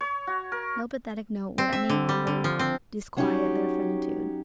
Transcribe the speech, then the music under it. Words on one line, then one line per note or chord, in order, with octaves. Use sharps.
No pathetic note would any longer disquiet their finitude.
C#5
F#4
A#4
C4
E5
D3
G3
D3
F3
C4
F#3 B3 C#4 D#4 F#4 G4